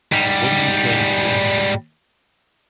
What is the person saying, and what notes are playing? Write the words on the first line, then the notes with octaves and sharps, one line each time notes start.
what do you think is
G#2 G3